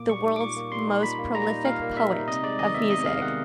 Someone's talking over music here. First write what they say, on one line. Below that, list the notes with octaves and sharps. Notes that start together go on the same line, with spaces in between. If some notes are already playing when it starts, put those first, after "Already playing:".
the world's most prolific poet of music,
Already playing: A#2 A#3 D6
G3 C#6
D#4
D6
A#2 C#6
A#3
G3 C6
D#4
A#2 B5
A#3
G3 A#5
D#4
A#2 F5
A#3
G3 E5
D#4
C3 D#5
G#3 D5
D#3 D#5
B3 E5
C3 D#5
G#3 F5
D#3 F#5